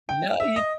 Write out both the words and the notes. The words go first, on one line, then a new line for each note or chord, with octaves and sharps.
No, you
G5
E5
D#5